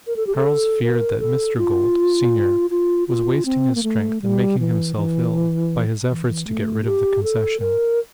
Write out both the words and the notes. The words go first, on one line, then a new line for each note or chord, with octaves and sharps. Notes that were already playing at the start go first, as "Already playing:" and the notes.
Charles feared that Mr. Gould, senior, was wasting his strength and making himself ill by his efforts to get rid of the Concession.
A#4
A4
G4
A4
A#4
A4
F4
F4
F4
C4
A#3
A3
G3
E3
E3
E3
E3
A3
G4
A4
A#4